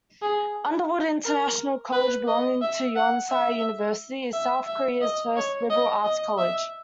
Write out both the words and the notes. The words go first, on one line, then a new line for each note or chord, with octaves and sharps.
Underwood International College belonging to Yonsei University is South Korea's first liberal arts college.
G#4
A#4
B4
D#5
E5
F#5
E5
E5
E5
D#5
C#5
D#5
D#5
E5